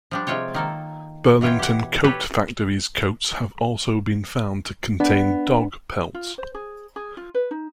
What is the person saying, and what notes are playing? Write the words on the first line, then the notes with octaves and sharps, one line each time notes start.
Burlington Coat Factory's coats have also been found to contain dog pelts.
F3 G3 D4
C3 G#3 F4 C#5 G5
D#3 A#3 A4
B2 E3 F4 C#5 G5
G4 F#5
G4 A4 B4 C#5
B3 D4
F4
C5
G#4
G#4
F4
B4
D#4